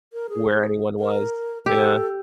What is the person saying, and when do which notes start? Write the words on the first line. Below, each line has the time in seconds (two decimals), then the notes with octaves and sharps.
where anyone was. Yeah.
0.13 A#4
0.29 G#4
1.00 A#4
1.66 G4 A4